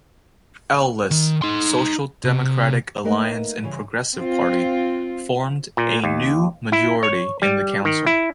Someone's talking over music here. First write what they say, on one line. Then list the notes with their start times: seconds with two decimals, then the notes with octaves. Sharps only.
L-list, Social Democratic Alliance and Progressive Party formed a new majority in the council.
1.11 D#3
1.42 D#4 C6
2.24 C3
3.04 A3 A#3 D#4 A#4 B4 D#5
3.63 C#3 E3 G3
4.16 C4 F4
5.77 A#2
6.04 D#2
6.72 E4
7.03 C#5
7.42 G3
7.85 D#3
8.06 E4